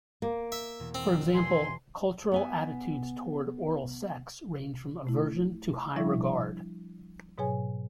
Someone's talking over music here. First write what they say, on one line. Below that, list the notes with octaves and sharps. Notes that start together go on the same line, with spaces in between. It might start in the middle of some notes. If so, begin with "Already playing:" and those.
For example, cultural attitudes toward oral sex range from aversion to high regard.
A#3
E5
E2 B2 E3
C4
G2 G#5 C6
B3 E5 G#5
A3 E4
F3 G3 D4 E4 E5 C#6
G#2 B2 F#3 G#4 C#5 G#5